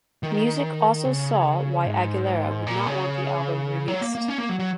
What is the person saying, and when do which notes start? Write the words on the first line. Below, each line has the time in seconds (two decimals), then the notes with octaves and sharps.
Music also saw why Aguilera would not want the album released.
0.23 D#3
1.05 C#3
1.86 G#2
2.67 A#2
2.87 C#3
3.88 F#3
4.01 A#3
4.15 A#3
4.28 C#4
4.38 A#3
4.49 F#3
4.59 F#3